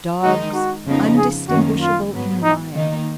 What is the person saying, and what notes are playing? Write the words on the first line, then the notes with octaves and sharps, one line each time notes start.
Dogs, undistinguishable in mire.
D#3 G#3 D#4 F#4
F#4
F2 C#3 F3 B3 D#4
G#4
F#2 D#3 A#3 C#4 F#4
F4
G#2 F#3 B3
D#4
D#3 A#3 D#4